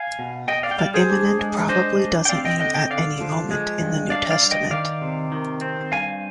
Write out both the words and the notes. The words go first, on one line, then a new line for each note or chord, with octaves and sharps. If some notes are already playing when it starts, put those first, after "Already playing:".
But imminent probably doesn't mean 'at any moment' in the New Testament.
Already playing: F5 G#5
B2
B2 D#5 G5
D5 F5
G5
G3 D5 F5
G#4 C5
D4
G#3
D4 C5 D#5
D4
G5
C4 D5 F5
D#5 G5
D3 D#5 G5
D#5 G5
D3 D5 F5
F3
G#3
G2
D4 D5 F5
D5 F5
G2
D#5 G5
D#3 D5 F5
C3
D#3
C4
G2 F5 G#5